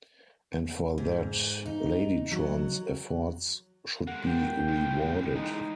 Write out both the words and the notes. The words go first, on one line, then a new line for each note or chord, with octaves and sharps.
And for that, Ladytron's efforts should be rewarded.
G#2
D#4
F#3
G#3 A#3 F#5
G5
C#2 A2
E3 G#3 D#4